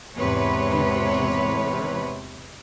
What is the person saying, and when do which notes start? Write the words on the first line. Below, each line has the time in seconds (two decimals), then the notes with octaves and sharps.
"Do you think he is the murderer?"
0.18 E2 G#2 C3 B4 C#5